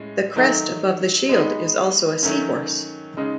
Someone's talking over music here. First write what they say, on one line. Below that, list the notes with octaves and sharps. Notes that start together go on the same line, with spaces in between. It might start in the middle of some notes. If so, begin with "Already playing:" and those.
The crest above the shield is also a sea-horse.
Already playing: A2 G#3 C#4
D#3 F#3 A3 D#4
G#3 B3 D#4
D#3 F#3 A3 C#4
C#3 G#3 D#4